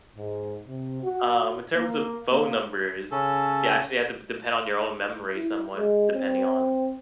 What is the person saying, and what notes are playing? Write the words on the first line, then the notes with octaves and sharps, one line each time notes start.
Um, in terms of phone numbers, you actually had to d depend on your own memory somewhat, depending on
G#2
C3
F#4
A#3
A#3
C#3 C#4 A4
E4
G#3
C4